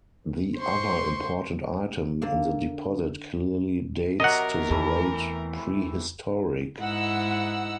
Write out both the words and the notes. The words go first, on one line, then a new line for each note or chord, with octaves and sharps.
The other important item in the deposit clearly dates to the late prehistoric.
C5 C6 C#6
D3 A#3
C3 F#3 A#4 D#5 F#5
E2 E3 A3
G#2 D#4 E4 F#5 E6